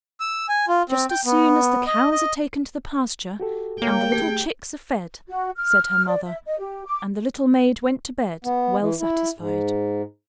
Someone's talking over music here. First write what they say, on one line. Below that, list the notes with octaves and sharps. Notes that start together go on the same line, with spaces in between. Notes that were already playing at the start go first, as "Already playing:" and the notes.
"Just as soon as the cows are taken to the pasture, and the little chicks are fed," said her mother; and the little maid went to bed well satisfied.
E6
G#5
F4
C4
G5
B3
D#5
D#5
F#4 G4 A4
A#3 C#5 G5
A3 G4 G#4
F#4
F6
D5
E5
D#5
G4
D6
B3
E3
E4
G#2